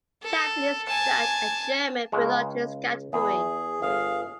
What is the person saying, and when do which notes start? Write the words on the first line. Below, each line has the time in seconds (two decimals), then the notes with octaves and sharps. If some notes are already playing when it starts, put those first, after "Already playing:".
Japanese, Dutch and German belong to this category.
0.23 A4
0.87 G#5 A5
2.12 C#2 C#3 G#3
3.13 E2 G#4
3.82 G1 G#4 F5